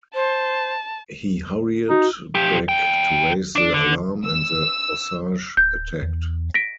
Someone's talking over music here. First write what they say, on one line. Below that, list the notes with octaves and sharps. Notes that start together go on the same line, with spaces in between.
He hurried back to raise the alarm and the Osage attacked.
C5 A5
D#4 F#4
F3 G4
E2 G5
D4 D5
D3
E6
D1 G6
E2
A#6 B6 D7